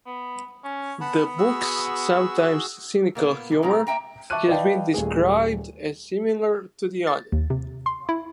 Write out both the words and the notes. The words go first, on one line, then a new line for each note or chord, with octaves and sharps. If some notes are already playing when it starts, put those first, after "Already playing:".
The book's sometimes cynical humor has been described as similar to The Onion.
B3
C#4
B3 F#5 A5 B5
F#4 G#4 E6
A#2 A#3 B3
C3 E3
A#2 G#3 C4 A#5
A#3 E5 F#5 G5 A#5
E5 A5 C#6 D6 F#6 D#7
B4 D5 D#5 F5 G5 A5
D#1 A3 G#4
A6
D#2
C3
C6
E4